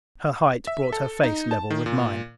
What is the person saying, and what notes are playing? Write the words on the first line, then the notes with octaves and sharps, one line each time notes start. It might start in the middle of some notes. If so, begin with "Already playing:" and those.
Her height brought her face level with mine.
E5
A4
D#4
A5
D#3
A#2